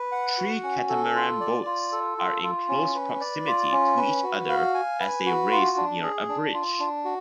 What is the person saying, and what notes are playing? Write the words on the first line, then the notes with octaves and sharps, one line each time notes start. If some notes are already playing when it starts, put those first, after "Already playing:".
Three catamaran boats are in close proximity to each other as they race near a bridge.
Already playing: B4
F#5
F#4
C#4
A4
F4
D5
F4
A4
F4
F4
C#4
B4
D5
F4
C#4
B4
F#4
F5
G#5
B4
F#4
F4
D4
G#4
D4
F4
D4
F#4